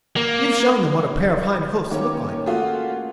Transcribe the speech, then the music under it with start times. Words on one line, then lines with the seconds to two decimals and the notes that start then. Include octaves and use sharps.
"You've shown them what a pair of hind hoofs look like."
0.16 A#3
1.91 D#3 A#3 C#4 G4 C#5
2.46 A3 F4 F#4 G#4 C#5 F#5